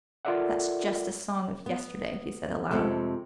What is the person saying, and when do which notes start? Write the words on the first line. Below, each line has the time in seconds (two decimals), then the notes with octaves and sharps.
"That's just a song of yesterday," he said aloud.
0.25 F4 A4 A#4 D5 E5 F#5
1.66 B3
2.71 F2 C3 G#3 A3